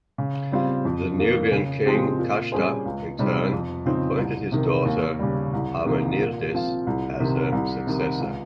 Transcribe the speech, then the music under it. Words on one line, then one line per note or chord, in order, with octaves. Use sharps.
The Nubian king Kashta, in turn, appointed his daughter, Amenirdis, as her successor.
C#3
G3 C4 F4
F2
D#3 A#3
C#3
F3 G#3 C4 G4
A#2
G3 C#4 G#4 C5
C#2
C3 G3 C4 D#4
F2
C#3 F3 C4 D#4
C2
C3 D#3
D#2
C#3 G3
C2
C3 D#3 A#3
A#2
F3 C4 F4
C2
C3 D#3
C2
C3 D#3
C#2